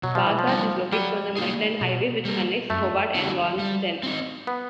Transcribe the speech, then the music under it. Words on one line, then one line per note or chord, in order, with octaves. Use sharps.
Bagdad is located on the Midland Highway, which connects Hobart and Launceston.
B2 F#3
F3
E3
F3
G3 B3 D#4
F#3 G3
A#3 D#4 G#4
B2
G3 A#3
F#2 A3
D3 F#3 B3 E4
G3
C4 D#4
B3